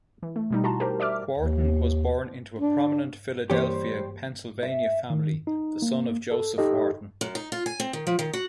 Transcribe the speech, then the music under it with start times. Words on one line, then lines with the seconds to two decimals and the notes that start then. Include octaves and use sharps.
Wharton was born into a prominent Philadelphia, Pennsylvania family, the son of Joseph Wharton.
0.23 E3
0.36 A3
0.50 B2 G3 D#4
0.63 E4 F#4 A5 A#5 C6
0.80 G4 A#4 C5
1.00 D5 E5 D6 F6
1.38 D#2
2.59 D4
3.50 G2 E3 G3 A#3 G4 C5 C#5
4.63 E5
5.10 D#3
5.47 D#4
5.82 A#3
6.31 A4
6.58 D#4 G4 A4 D#5
7.21 F#2
7.35 D#4
7.52 F4
7.66 G#5
7.80 C4
7.93 D#3
8.07 F3
8.19 D#3
8.33 F#4